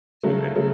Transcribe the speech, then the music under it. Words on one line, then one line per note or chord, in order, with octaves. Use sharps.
to ach
C#3 F#3 A3
C#3 F#3 A3